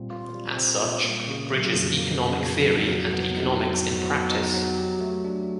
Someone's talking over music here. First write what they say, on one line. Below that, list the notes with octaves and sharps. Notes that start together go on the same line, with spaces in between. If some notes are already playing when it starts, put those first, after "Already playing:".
As such, it bridges economic theory and economics in practice.
Already playing: A#2 G3 C4 F4
F4
G3
C4
A#2
A#3
C#3
F#3
F2
A#3
C#3
F#3
F2
F#3
B3
D#4
F#3
F#3
B3
D#4
F#3
G4
A3
D4